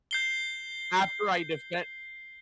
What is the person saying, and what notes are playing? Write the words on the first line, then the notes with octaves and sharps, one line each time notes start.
after I defend
G6 C7 G7